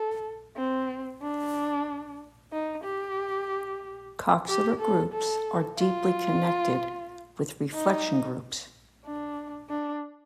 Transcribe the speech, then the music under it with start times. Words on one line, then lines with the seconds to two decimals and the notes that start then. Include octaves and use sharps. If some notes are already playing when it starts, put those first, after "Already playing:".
Coxeter groups are deeply connected with reflection groups.
Already playing: A4
0.56 C4
1.22 D4
2.52 D#4
2.84 G4
4.48 G4
4.80 A4
5.13 A4
5.78 F4
7.74 D#4
9.05 D4
9.69 D4